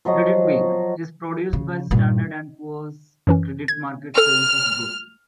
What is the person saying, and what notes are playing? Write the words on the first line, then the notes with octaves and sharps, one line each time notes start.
"Credit Week" is produced by Standard and Poor's Credit Market Services Group.
F3 F#3 F#4 D#5
C#3
G2 A#2
F#2 E3 C#4
G#6
A4 F6